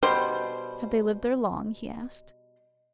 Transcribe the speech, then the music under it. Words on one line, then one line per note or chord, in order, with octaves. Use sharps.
"Have they lived there long?" he asked.
B2 G3 C5 C6